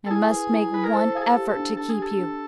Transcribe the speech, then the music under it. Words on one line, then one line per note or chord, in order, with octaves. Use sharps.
I must make one effort to keep you....
A4
E4 G#4
B4
E4
E4 B4
A#4
A4 C5
G#4 F5
A4
G4
A4
D4
D4 A4
G#4
G4 A4
D4